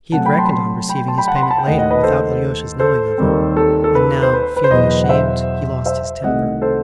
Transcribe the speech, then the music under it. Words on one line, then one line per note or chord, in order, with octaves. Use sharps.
He had reckoned on receiving his payment later, without Alyosha's knowing of it, and now, feeling ashamed, he lost his temper.
C3 F#3 A3 F#5 A5
G5 B5
A5 C6
B5
A5 C6
G5 B5
A5 C6
G5 B5
F#5 A5
C6
B5
A5
G5
D#2 D#3 A3 D#4 D#5 F#5
D#5 F#5
B4 D#5
A4 C5
A4 C5
D#2 D#3 G3 C4
A4
A4
B4
C5
B4
B4
C5
E2 B2 F#3 B4 D#5
F#5
C5 E5
C5 E5
C2 C3 D#3 A3 C4 D#5 F#5
A4 C5